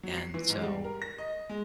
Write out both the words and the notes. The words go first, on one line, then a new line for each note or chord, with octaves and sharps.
And so
F#3
C7
E3
G#2
G3
A#4
A#6
D#5
G#3